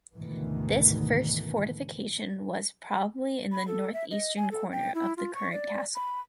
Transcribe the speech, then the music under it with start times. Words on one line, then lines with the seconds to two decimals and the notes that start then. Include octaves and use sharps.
This first fortification was probably in the northeastern corner of the current castle.
0.14 D2 G#2 B2 D#3 E3
3.51 B5
3.67 A4
3.93 E5
4.11 D#5
4.37 G#5
4.51 A4
4.72 G5
4.95 E4
5.17 F4
5.34 C#6
5.52 D5
5.95 B5